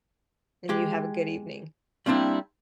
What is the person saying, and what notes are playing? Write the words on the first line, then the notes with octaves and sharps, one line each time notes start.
And you have a good evening.
G#3 G4
G3 A#3 C4 D4 E4